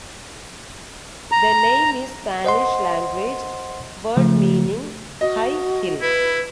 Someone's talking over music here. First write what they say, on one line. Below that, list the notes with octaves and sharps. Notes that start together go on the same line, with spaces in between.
The name is Spanish language word meaning "high hill".
A#5
C5 D#5 F#5 C6
C#3 F3 A3
F#4 D#5
E4 B4